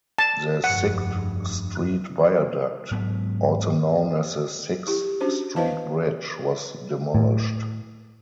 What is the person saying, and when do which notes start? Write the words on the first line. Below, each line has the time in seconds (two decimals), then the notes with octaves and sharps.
The Sixth Street Viaduct, also known as the Sixth Street Bridge was demolished.
0.18 A5
0.64 F1 G2 F#5
2.91 G#2 F#3 B3
4.87 E4 G4
5.21 C#4 D4 F#4 C5
5.56 E4 B4 C5 D#5 F5 A5
7.15 A2